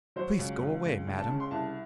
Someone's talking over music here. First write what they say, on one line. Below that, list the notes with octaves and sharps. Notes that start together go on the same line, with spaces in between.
"Please go away, madam!"
F#3 C5
C#2
C#2
C#2
C#2
A5
C#3
C6
C2 A5